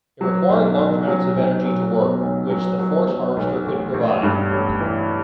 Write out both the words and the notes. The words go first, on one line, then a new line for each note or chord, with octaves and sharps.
It required large amounts of energy to work, which the Force Harvester could provide.
F#3
B1
B1
F#3
B1
F#3
B2
B1
F#3
F#3
F#3
B1
A1
A1
G2
A1
E3